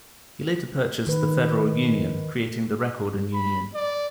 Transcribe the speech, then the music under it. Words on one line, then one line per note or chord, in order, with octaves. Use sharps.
He later purchased "The Federal Union", creating "The Record and Union".
D#3 B4
B5
D5